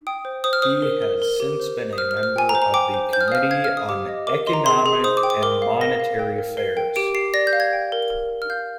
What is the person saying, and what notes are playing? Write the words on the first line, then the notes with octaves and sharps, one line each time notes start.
He has since been a member of the Committee on Economic and Monetary Affairs.
G5 D#6
C5
C5 D#6
F6
C5 D#6
A#4
A#4
A#4
G4
C5
C5
D#6
C5 F6
F6
C5
F6
G5 G#5
A#5
C5
A#5
G5 D6
C5
C5 G6
F6
D#6
F5 F6
F5 G#6
F6
F5
D#6
G4 D6
D#5
A#4 D6
D#5 C6
A#5
G#4 C6
G#4
C5 D#6
D6
G5
D6
A#4 D6
F5
A#4 A#6
F5
G5
A#4
A#4 C7
G5
G4 D7
G4 C7
D5 A#6
G6
F5
G#6
G5
A#4
A#4
A#4
F6
F5 G6